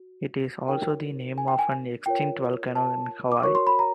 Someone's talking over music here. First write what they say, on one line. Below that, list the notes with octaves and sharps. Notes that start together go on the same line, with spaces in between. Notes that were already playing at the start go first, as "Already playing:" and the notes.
It is also the name of an extinct volcano in Hawaii.
Already playing: F#4
D#4 F#4 A#4 C#5 G5
G#5
G5
G#5
F4 A#4 C#5 G5
A5
D6
F#4 A#4 C#5 C#6
C6
B5
A#5